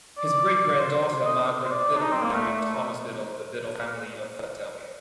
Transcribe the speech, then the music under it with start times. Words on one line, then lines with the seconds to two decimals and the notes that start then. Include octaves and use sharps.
His great-granddaughter Margaret Biddle married Thomas Biddle of the Biddle family of Philadelphia.
0.18 D5
0.73 D5
0.79 C5
1.25 D#5
1.65 C5
1.71 D5
1.97 D4
2.02 D#4
2.12 C4
2.22 A#3
2.33 A3